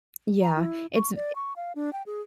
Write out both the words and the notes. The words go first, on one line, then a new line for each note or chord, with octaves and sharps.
Yeah. It's i
A#5
E4
C#6
D5
C#6
F5
D4
G5
G#4